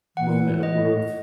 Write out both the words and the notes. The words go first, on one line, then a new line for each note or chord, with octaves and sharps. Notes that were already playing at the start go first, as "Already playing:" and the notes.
moment of growth
E3 F#5
D#5